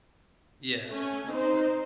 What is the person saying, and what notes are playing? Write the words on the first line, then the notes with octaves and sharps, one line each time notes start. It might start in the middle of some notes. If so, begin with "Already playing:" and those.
Yeah, that's true.
A3 C#4 G#5
C4 D#4 C5